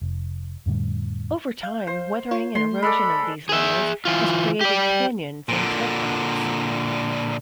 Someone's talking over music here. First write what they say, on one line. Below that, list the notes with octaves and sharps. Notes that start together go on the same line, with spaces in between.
Over time, weathering and erosion of these layers has created canyons and tent rocks.
F1
F2 A2 D3 G3
F5 G6
C5
F4 C#5
A3 C6
G#3 A4 D5 B5
G#4 E5
E3 F4
G4 D5
A#2 D3